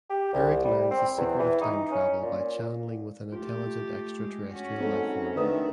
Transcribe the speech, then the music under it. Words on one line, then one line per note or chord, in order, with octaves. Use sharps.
Eric learns the secret of time travel by channeling with an intelligent extraterrestrial lifeform.
G4
C2
G3
C4
E2
E3
D#4
C#4
A#2
A3 F4 G4
G#3
C#4 F#4
G#2 A3 C4
D3 D#3 A3 B4 E5 D#6